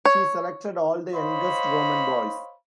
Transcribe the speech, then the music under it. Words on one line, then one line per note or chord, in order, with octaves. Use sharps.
She selected all the youngest Roman boys.
C#5
C5 C#5 D#5 F5 B5